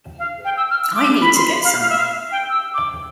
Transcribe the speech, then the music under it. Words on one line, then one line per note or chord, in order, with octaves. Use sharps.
I need to get some.
F5
G5
E6
F6
E6
D6
B5
C6
B5
F5
F5
E5
F5
G5
E6
D6